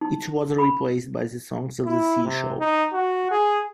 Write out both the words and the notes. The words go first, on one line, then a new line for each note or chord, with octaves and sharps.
It was replaced by the "Songs of the Sea" show.
D#4
B5
E4
C3
D#4
F#4
G#4